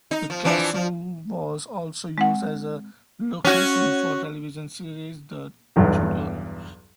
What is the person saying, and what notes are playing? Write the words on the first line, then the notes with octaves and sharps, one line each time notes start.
The castle was also used as a location for television series "The Tudors".
D#4
F3
E3 F3 D4
F3
G#3 C4 F#5
C#4 F#4
B1 E2 G2